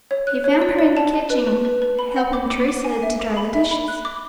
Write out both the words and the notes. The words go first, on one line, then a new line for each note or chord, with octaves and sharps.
He found her in the kitchen helping Teresa to dry the dishes.
C#5
F#6
C#5
D5
D5
A5
A5
B4
B4
B4
B4
B5
F#5
D6
D6
D6
G#5
E5
D6
B5
E5
B5
F#6
D6